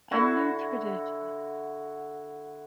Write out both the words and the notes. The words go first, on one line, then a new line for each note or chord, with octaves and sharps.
a new tradition.
D3 E4 F#4